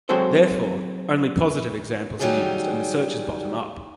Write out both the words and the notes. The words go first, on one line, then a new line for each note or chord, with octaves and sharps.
Therefore, only positive examples are used and the search is bottom-up.
F#3 G#3 C4 F#4 A4 C5
D#3 F#3 G3 C#4 D#4 G#4